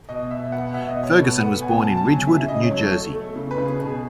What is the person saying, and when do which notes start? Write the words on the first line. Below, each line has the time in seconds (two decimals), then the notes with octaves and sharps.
Ferguson was born in Ridgewood, New Jersey.
0.09 B2 D#5
0.30 B2 E5
0.52 B3 F#5
0.67 F#5
0.74 B2 E5
0.89 D#5
0.96 B2
1.03 C#5
1.18 B3 A4
1.39 B3 F#5
1.61 B2 G#5
1.83 B2 A5
1.97 A5
2.05 F#3 G#5
2.27 C#3 E5
2.48 C#3 D#5
2.63 C#5
2.71 F#3
2.78 A4
2.93 A3
3.14 A3
3.36 C#3
3.51 B4
3.58 C#3
3.66 G#4
3.79 B2 G#4